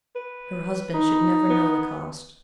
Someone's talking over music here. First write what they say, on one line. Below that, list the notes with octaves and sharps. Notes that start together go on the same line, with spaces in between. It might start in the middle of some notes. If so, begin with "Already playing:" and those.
Her husband should never know the cost.
B4
D#4
B3